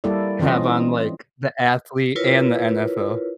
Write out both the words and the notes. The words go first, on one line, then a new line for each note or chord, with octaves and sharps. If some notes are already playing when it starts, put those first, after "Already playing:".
Have on, like, the athlete and the NFL.
G3 A#3 E4 A4 D5
E3 C4 C#4 F4 D#5
E4 F4 A#4 B4 C#5